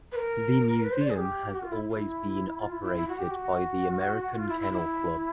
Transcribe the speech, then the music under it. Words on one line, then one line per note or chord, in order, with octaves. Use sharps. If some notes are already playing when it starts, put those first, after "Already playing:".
The museum has always been operated by the American Kennel Club.
B4
A#4
B4
C5
D5
G#4
G4
F#4
F4
E4
F4
E4
F4
E4
E4
E4
F#4
G4
F#4
F4
E4
E4
E4